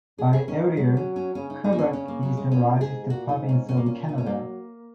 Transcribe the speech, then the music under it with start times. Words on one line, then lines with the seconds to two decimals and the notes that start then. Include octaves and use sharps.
By area, Quebec is the largest province of Canada.
0.18 C#3 G#4
0.33 G#4
0.48 D#3 C#4
0.77 F#3 G#3
0.97 C#4
1.16 C#4
1.35 C#3 C#4
1.50 D#4
1.64 C#3 D#4
1.73 A#3
1.79 C#4
1.93 C#4
2.08 A#3
2.23 F#3
2.37 G#3
2.52 A#2 C#4
2.81 G#2 G#4
3.10 A#2 F#4
3.29 D#4
3.39 G#2
3.49 C#4
3.68 A#2 C#4
3.77 A#3
3.86 C#4
4.09 D#4
4.18 C#4
4.26 F#3 A#3